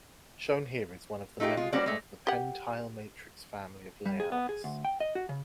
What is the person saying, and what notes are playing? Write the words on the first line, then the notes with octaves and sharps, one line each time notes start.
Shown here is one of the member of the PenTile matrix family of layouts.
A3 D#4 F4 G4 G#4
G#3 F4
G3 A#3 C#4 F#4 C5 D5
G#3 A3
G4 F#5
G3
G#4
B3
G#4
D2
G5
D#5
F#4
C#3